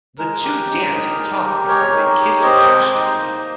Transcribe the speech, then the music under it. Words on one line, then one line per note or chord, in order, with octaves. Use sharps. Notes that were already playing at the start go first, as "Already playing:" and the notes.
The two dance and talk before they kiss passionately.
G#3 A#4
G4
G#3
D#4
G#3
G4
G#3 A#4 C#5
D#4
G4
C4 C5 D#5
G#3
D#4
A#3